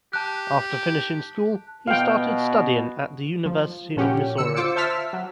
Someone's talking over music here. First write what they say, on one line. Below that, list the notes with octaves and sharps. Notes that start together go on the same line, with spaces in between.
After finishing school, he started studying at the University of Missouri.
G4 A5 F#6
B2 F5 G5
F3
A#2 C#4 F#4 G4
D3 E6 C#7
F4 C5 D6 E6 C#7
C5 E5 A5 E6 F6 B6
F#3